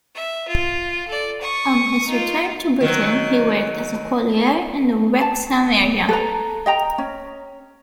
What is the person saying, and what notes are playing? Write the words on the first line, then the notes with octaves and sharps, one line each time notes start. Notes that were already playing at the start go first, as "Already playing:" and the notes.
On his return to Britain he worked as a collier in the Wrexham area.
E5
F4
A4 D5
C#6 D#6
D#4 F4
D#3 F#3
A5
A4 B4 A#5
D#5 G5 A#5
C#4